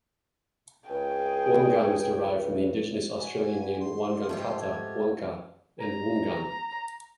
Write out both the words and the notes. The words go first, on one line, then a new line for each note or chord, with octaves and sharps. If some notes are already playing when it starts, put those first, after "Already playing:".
"Wongan" is derived from the Indigenous Australian name "wangan-katta", "wanka" and "woongan".
C#2 G#4 G5
F#4 B4 D5 G#5
C6
G#2 A3 F4 G4
F#5 G#6
A#5